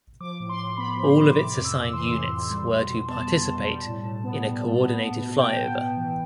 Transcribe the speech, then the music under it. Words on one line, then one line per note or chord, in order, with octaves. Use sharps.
All of its assigned units were to participate in a coordinated flyover.
F3 D6
A2
C6
A2
B3 B5
F3
C6
A2
C3 D6
D6
F2
E6
F2
E3 C6
C3
F2
G3
B2
B2
B3 A5
G3
B2
G3
A2
A2
B3
G3
A2
B3
B3
B2
B2 G5
B3
B3
E3